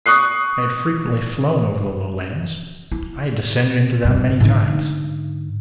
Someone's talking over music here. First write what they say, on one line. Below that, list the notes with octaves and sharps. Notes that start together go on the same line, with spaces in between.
I had frequently flown over the Lowlands; I had descended into them many times.
C#6 D#6 F#6 C7
E4
G2
G#2 D3